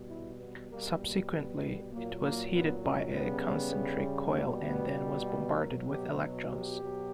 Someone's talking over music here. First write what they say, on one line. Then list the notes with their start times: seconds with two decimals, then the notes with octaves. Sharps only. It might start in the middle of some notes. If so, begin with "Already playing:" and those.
Subsequently it was heated by a concentric coil and then was bombarded with electrons.
Already playing: B2 G3
0.09 E4
0.40 B3
0.70 B2 G3 A#3
1.01 A#3
1.32 B3
1.62 B3
1.92 A#2 F#3 A#3
2.23 A#3
2.54 B3
2.84 C#4
3.14 C#3 G3 B3
4.36 B2 G3 A#3
4.67 B3
5.28 B3
5.58 B2 F#3 A#4
5.89 G4
6.20 F#4
6.50 G4
6.81 B2 F#3